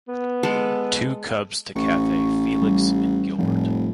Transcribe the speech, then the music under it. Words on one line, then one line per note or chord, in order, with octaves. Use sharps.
Two cubs to Cathay: Felix and Gilbert.
B3
G#3 A4
A1 C#6
G3
F1 A2 F3